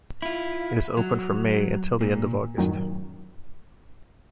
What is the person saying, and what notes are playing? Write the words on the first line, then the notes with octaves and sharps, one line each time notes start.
It is open from May until the end of August.
E4 F4
F#3
A#2
F#2 A2 D#3 F#3